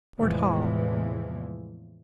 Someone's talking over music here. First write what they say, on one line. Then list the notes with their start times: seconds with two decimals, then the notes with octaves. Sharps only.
Fort Hall.
0.19 E2 A2 C3 E3 F3 G#3